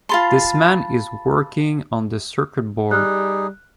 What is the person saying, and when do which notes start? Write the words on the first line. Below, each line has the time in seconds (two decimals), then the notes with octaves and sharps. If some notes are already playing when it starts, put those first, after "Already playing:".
This man is working on the circuit board.
0.09 F4 A4 A5 B5 C6 A6
2.91 G3 D#4 G#4 F6 F#6